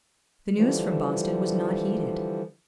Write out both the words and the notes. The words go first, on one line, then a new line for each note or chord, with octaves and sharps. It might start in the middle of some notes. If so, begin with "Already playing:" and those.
The news from Boston was not heeded.
D3 E3 F3 G3